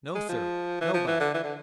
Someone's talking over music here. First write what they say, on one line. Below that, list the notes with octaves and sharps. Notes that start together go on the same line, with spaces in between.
"No, sir, nobody."
G#3
F3
E3
F3
E3
D3
E3
D3